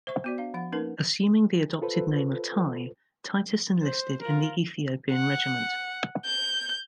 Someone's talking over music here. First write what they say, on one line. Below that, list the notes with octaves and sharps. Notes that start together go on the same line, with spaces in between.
Assuming the adopted name of "Tye", Titus enlisted in the Ethiopian Regiment.
C5 E5 C#6
B3 F#4 D5
D4 F5
F3 F#5
A#3 C#4 D#4 A#4 B4
F4 A4 B4 C5
C5
F4 A#4
F#5
G6